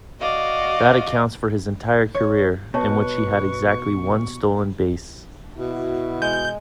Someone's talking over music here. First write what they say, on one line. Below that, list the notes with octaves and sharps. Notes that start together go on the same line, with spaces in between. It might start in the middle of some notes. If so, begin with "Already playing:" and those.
That accounts for his entire career, in which he had exactly one stolen base.
F#4 D5 D#5 F5
C#5
B2 B4 C#5 A5 C#6
B2 E4 F#4
G#3 G6